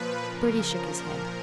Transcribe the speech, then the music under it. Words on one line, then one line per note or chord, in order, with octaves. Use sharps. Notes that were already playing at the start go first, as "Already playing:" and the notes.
Bertie shook his head.
Already playing: A#2 F3 B4
C#3 F3 A#4
A#2 F3